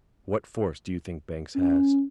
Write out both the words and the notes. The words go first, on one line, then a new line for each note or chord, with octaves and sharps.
"What force do you think Banks has?"
C#4